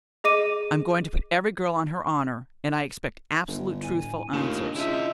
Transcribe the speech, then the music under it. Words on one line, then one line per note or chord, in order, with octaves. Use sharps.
I am going to put every girl on her honor, and I expect absolutely truthful answers.
G#4 D#5 D6 D#7
G1
A2 G#5
D#2 A3 D4 F4 D#5
C#3 E4 F4 D#5 E5